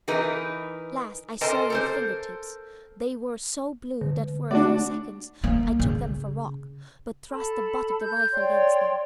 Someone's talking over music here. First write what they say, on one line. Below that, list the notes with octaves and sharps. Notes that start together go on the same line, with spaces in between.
At last I saw your finger tips; they were so blue that for a few seconds I took them for rock, but thrust the butt of the rifle against them.
E3 D#4 A#4 B4
A4 A#4 C5 D#5 G#5
A4 A#4 C5
D3
A3 D4 F#4 D5
A#3
C#3
A4 A5 B5
G6
C#5 D5 G5 C6